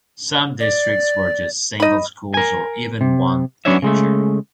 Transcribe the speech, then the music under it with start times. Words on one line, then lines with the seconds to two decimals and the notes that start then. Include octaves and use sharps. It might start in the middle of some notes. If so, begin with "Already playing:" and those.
Some districts were just single schools or even one teacher.
0.60 D5
1.80 D#4 D#5 B5
2.34 A#4 G#5
3.01 C3
3.65 F#3 B3 C#4 D4 C#5 E5
3.82 C#3 G#3 A3